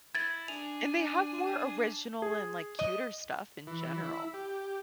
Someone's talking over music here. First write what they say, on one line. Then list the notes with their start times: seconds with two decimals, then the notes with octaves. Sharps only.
And they have more original and, like, cuter stuff in general.
0.15 E4 G#6 A6
0.48 D4 G#4 F7
2.22 G#4
2.79 D#5
3.67 E3
4.03 E4
4.34 G4